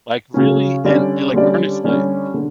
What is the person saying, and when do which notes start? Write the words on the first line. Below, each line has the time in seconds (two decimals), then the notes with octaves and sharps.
Like, really, and and like earnestly,
0.34 C#3 F#3 C#4
0.84 D3 G3 C#4 G4 D5
1.34 D3 G3 C#4 G4 D5
1.84 D3 G3 C#4 G4 D5
2.34 D3